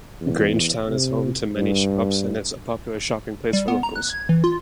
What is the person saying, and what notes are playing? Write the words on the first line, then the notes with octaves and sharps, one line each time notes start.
Grangetown is home to many shops and is a popular shopping place for locals.
E2
C3
G2
G3
B3
A#5
F#6
G#6
E3
F4